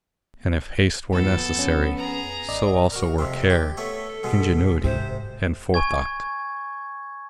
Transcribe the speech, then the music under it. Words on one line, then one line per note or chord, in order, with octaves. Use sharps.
And if haste were necessary, so also were care, ingenuity, and forethought.
D#2 F3 B3 A4
F2 C#4
G#4 A#5
A1 D5 D#5
F#4 A#4
F2 C3 C4
G4
A3 B3 A4 C#5
B2 G#3 B3
G#2 C3 C5
G#5 C#6 G#6